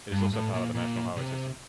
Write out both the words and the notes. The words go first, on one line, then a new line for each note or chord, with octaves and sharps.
It is also part of the National Highway System.
G2
A2
A#2
A#2
C3